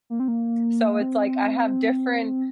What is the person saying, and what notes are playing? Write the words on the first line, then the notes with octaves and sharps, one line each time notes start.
So, it's like, I have different
A#3
C4
A#3
A#3
C4